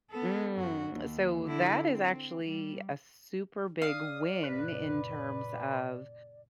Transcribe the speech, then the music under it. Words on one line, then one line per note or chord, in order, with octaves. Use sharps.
Mm. So, that is actually a super big win in terms of
B3 A4
F#2 F#4
D#2
D3 E4
C4
G3
D5 F5 D#6
F#1 A#2 C#3 B4